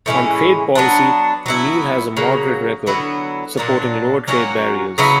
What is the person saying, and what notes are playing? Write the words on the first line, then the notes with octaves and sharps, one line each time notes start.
On trade policy, Neal has a moderate record, supporting lower trade barriers.
A2 E3 G#3 C#4
F#3 B3 D4
F#3 B3 E4
C#3 F#3 A#3
D3 F#3 B3 E4
A#2 F#3 A#3 D4
F#3 A#3 C#4 F#4
C#3 F#3 B3 E4